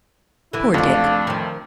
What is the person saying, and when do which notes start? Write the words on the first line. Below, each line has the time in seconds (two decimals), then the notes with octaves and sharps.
Poor Dick!
0.53 D3 E3 E4
0.74 F2 A3 D4 F4 F#4
1.27 D#3 F3